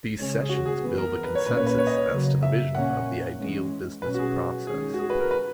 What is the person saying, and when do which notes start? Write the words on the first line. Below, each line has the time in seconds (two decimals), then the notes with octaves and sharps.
These sessions build a consensus as to the vision of the ideal business process.
0.18 C#3 G#3 C#4
0.41 G#4
0.49 F#4
0.66 G#4
0.81 E3 B3
0.98 A#4
1.24 B4
1.35 C#5
1.45 A#2 A#3 C#4 B4
1.57 C#5
1.67 B4
1.78 C#5
1.87 D#5
1.97 C#5
2.10 C#3 F#3 A#3
2.43 E5
2.75 A#2 A#3 C#4 F#5
3.38 E3 G#3 C#4
4.02 B2 F#3 C#4 B4
4.14 F#4
4.19 G#4
4.67 D#3 G#3 C#4 G#4
4.94 F#4
4.99 G#4
5.10 B4
5.20 A#4
5.31 B4